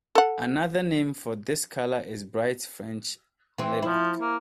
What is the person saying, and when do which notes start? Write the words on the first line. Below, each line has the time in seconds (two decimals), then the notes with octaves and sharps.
Another name for this color is bright French lilac.
0.15 A4 F#5
3.58 E3 C4
3.82 F3 E4
4.20 A#3